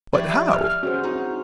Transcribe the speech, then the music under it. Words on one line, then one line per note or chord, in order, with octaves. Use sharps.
"But how?"
A2 F3 G4 D5 E5
F6
C#4 F#4 G#4 C5
C4 D#4 E4 F#4